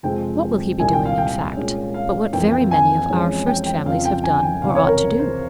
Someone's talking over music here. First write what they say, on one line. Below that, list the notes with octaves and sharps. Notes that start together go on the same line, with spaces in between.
What will he be doing, in fact, but what very many of our first families have done, or ought to do?
F2 C3 F3 G#3 C4 G5
C2 A#2 G3 C4 G#5
G5
F5
G5
A#2 G#3 C#4
F5
F2 E3 A#3 G5
G5
G#5
F2 E3 G#3 C#4
G5
G5
F2 C#3 F3 C4 F5
G5
G#5
G5
C#2 C3 E3 F5
C#5
A#4
C5